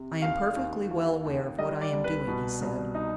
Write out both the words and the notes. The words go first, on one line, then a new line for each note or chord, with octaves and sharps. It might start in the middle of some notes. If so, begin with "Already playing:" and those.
"I am perfectly well aware of what I am doing," he said.
Already playing: C3
D#2 F5
D#2
D#2
D#2
G3 D#5
D5
C2
B4
B2
C2
D#4